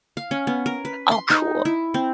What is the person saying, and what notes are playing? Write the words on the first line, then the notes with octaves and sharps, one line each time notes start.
Oh, cool.
F5
C#4
B3
A#4
B4
C6
D#4
E4
C4